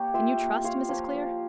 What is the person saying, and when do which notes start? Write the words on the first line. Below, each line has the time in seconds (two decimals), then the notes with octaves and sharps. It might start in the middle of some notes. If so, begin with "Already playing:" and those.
"Can you trust Mrs. Clear?"
Already playing: A#3 G4 C#5
0.14 F4 E5 G5
0.40 A#3
0.64 F4 C#5 F5
0.89 F3 C#5 F5
1.14 F3